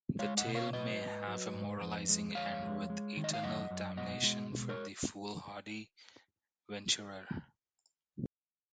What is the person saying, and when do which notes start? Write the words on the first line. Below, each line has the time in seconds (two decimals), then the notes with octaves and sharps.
The tale may have a moralizing end, with eternal damnation for the foolhardy venturer.
0.19 G#3 C#5 F5
0.37 D#5 F#5
0.46 B2
0.55 C#5 F5
0.73 F#3 B4 D#5
1.01 G#2
1.27 F#3
1.54 G#2
1.81 F2
2.09 G#3
2.35 F2 C#5 F5
2.62 G#3
2.90 G#3
3.17 D#3
3.24 D#5
3.34 F5
3.43 F#2 D#5 F#5
3.71 F#2
3.97 B2 D#5 F#5
4.24 G#3
4.52 B2
4.69 A#4 C#5